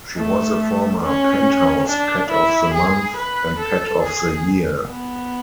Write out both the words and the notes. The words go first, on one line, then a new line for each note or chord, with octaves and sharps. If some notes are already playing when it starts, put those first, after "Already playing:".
She was a former "Penthouse" Pet of the Month and Pet of the Year.
A3
C#4
D4
E4
G#4
B4
A4
G#4
B3